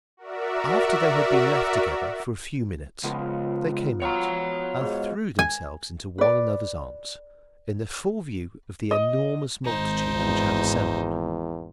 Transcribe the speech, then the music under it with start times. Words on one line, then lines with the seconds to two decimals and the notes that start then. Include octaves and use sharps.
After they had been left together for a few minutes they came out, and threw themselves into one another's arms, in the full view of the enormous multitude which had assembled.
0.17 F#4 A#4 D5 E5
3.03 C#2 F3 B3 A#4
4.02 B3 F4 F#4 C#5 A#5
4.81 G#2
5.39 G#5
6.18 B4 D5
8.91 D#5
9.65 G#1 D#4 C5
10.16 E2